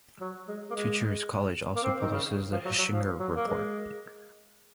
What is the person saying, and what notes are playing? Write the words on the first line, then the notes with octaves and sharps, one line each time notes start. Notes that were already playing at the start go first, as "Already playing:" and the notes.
Teacher's college also publishes the Hechinger Report.
F#3
G#3
A#3
G#3
A#3
C4
D#3
C#3
F3
F#3
F#3
F3
F#3
A#3
G#3